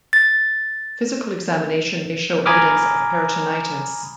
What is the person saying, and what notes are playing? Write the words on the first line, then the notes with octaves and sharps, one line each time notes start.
Physical examination may show evidence of peritonitis.
A6
G#5 A#5 B5 D6 D#6 F6